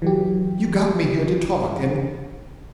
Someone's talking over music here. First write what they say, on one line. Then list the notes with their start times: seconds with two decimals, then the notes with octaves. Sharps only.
You got me here to talk, and . . .
0.02 E3 F#3 G4